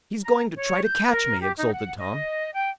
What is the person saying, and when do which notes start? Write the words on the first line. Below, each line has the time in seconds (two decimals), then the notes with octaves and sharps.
"He's going to try to catch me!" exulted Tom.
0.22 A#5
0.55 C#5
0.83 G6
1.11 A#4
1.40 G4
1.57 D#4
1.71 F#5
1.97 D#5
2.53 G5